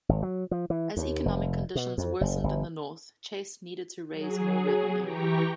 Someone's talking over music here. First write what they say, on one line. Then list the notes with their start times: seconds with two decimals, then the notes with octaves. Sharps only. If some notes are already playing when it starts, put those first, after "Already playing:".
As economic conditions worsened in the North, Chase needed to raise more revenue.
0.09 G#1
0.23 F#3
0.51 F3
0.70 E3
0.97 D#2
1.26 F1
1.75 B2
1.98 F2
2.21 F#1
2.44 G1
4.12 F#3 G#4
4.98 E3 G4 G5 A#5 C#6